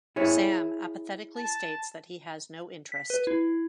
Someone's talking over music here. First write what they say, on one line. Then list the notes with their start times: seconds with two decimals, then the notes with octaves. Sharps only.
Sam apathetically states that he has no interest.
0.16 E4 G#4 C#5
1.37 A5
2.92 B6
3.10 B4
3.27 E4